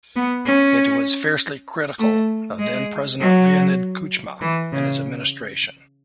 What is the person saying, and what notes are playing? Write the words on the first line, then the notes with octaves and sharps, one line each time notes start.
It was fiercely critical of then-President Leonid Kuchma and his administration.
B3
C#4
A3
G#3
F#3
E3
C#3